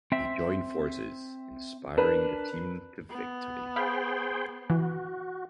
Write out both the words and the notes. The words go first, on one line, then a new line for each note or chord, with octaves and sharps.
They join forces, inspiring the team to victory.
C4 E5
D4 A#4 B4
B3
G#4 C5 F5 G5 B5
E3 F#4